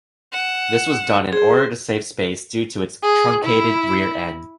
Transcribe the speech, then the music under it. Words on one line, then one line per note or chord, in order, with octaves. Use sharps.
This was done in order to save space due to its truncated rear end.
F#5 E7
G#4 C5
G#4
E4